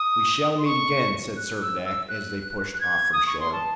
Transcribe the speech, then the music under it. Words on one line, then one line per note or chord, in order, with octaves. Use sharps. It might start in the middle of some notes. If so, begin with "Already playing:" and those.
"We shall meet again," said Servadac, as they pushed off from shore.
Already playing: D#6
C6
C#6
F#6
E6
E6
F#6
F#6
G#6
D#6
C#6
C6
A5